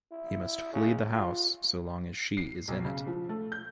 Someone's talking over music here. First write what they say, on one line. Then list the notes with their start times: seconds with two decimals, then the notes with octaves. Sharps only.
He must flee the house so long as she is in it.
0.12 E4
0.73 C#3
1.13 F4
2.37 C7
2.68 B1
2.85 C#3
3.07 F3
3.29 A3
3.52 G6